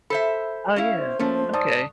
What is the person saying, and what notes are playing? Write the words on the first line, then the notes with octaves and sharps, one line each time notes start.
Uh, yeah, okay.
A4 C5 E5 B5
C#4 E4 F5
C5
F3 A3 A#3 C#4
G#2 D5 A5 D#6